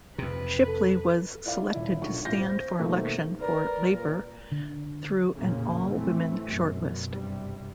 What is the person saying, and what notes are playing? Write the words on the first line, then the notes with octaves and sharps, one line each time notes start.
Shipley was selected to stand for election for Labour through an all-women shortlist.
F2 C3 B4
A4
E4 D5 F5
D#1 E4
B1 D3 F4 C#6
A2 F4 G6 A#6
C4
B2 D#3 G3 A3 A#3 C4
A#4 B4 D5
A#2
D3
A1 F2 A#2 C#3 A#3
E3 A3 C4
F#2 B2
G2 C3 G3